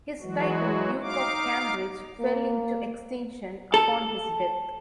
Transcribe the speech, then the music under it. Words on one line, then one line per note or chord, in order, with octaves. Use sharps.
His title, 'Duke of Cambridge', fell into extinction upon his death.
E3 F#3 G#3 F#4
D#4 F5 D6
A#3
A4